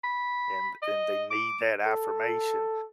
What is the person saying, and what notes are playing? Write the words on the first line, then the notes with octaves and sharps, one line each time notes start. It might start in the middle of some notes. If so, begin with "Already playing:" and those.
and and they need that affirmation.
B5
D#5
D6
A4